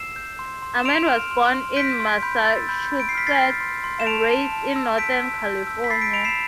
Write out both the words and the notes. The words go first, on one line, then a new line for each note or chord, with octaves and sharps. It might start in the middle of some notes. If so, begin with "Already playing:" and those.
Amend was born in Massachusetts and raised in Northern California.
Already playing: E6 C7 E7
G6
C6
C6
E7
C6 D7 F7
F6
C6
C6
G6 B6 D7
C6
B5 G6
E6 A6
B5 G6
G6
B5
D7
C7
F6 B6
A6 C7
F6
C6
C6
E7
A5 D7 F7
A5
A5
E6
G6 B6 D7
E6
G6
E6
B6
B5 A6 C7
B6 D7
B5 D7 F7
C7 E7